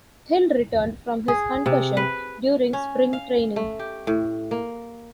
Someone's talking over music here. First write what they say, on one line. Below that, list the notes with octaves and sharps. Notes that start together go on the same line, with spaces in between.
Hill returned from his concussion during spring training.
G#4
C3
B4
C#4
F5
A3
G4
A2
A#3